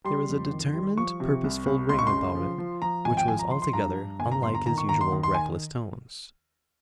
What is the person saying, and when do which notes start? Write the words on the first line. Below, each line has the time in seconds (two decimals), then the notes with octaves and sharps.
There was a determined, purposeful ring about it which was altogether unlike his usual reckless tones.
0.04 G3 C6
0.28 F2
0.51 D#3
0.74 G3
0.97 F3 C#6
1.20 C3
1.44 C2
1.66 C2
1.89 C#2 C6
1.99 C#6
2.07 C6
2.12 C#3
2.35 F3
2.58 F3
2.82 F3 A#5
3.05 G#1 G#5
3.17 G5
3.27 F3 G#5
3.39 A#5
3.51 F3 C6
3.62 C6
3.73 G2 A#5
3.97 G2
4.19 G1 G#5
4.32 A#5
4.43 G1 C6
4.55 A#5
4.66 D#3 A#5
4.78 C#6
4.89 D#2 A#5
5.01 C6
5.12 D#3
5.23 C6
5.34 G#5